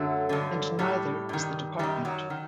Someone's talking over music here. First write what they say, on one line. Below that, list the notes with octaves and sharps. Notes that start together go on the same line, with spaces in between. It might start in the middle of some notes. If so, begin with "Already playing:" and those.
And neither is the department.
Already playing: F#2 D3 F#3 A3
G2 D3
A2 G3
G2 D#3
F#2 D#3 G3
F#3
D#3